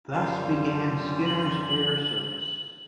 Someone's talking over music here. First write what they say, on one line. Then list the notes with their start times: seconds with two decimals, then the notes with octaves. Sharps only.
Thus began Skinner's Air Service.
0.12 F#2 G3 F4
1.26 F#7